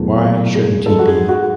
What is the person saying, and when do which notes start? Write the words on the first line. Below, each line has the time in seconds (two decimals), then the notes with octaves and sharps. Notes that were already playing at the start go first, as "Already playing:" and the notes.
Why shouldn’t he be?
Already playing: E2 B2 F#3 A3
0.55 G#4
0.86 G#2 G#3 A4
0.99 F#4
1.08 G#4
1.28 F#4